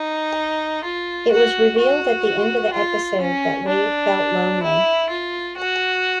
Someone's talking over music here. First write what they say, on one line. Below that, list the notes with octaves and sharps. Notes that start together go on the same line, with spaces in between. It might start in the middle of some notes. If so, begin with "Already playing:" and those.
It was revealed at the end of the episode that Wade felt lonely.
Already playing: D#4
F4
F#4
F#4
F4
C#4
D4
E4
F4
F#4